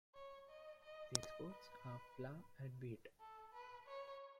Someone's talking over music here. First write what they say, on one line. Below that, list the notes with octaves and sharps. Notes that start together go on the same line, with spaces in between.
The exports are flour and wheat.
C#5
D#5
D#5
D#5
B4
A4
B4
C#5